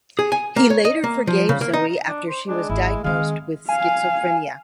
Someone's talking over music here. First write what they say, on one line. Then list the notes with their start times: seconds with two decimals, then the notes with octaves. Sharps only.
He later forgave Zoe after she was diagonised with Schizophrenia.
0.19 G#4
0.32 G#5
0.56 A#3
0.70 C#5
0.85 D#5
1.04 A#3
1.27 F3
1.49 C#3
1.61 A#3
1.73 D#4
2.08 D4
2.29 C5
2.48 G#3 D4
2.69 G#1 E4
3.04 D#3 G#3 C4 F5
3.69 F5 G#5